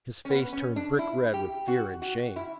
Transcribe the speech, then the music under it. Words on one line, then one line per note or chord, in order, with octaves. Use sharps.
His face turned brick-red with fear and shame.
C#4
B3
C#4
D4
E4
G4
F#4
F#4
E4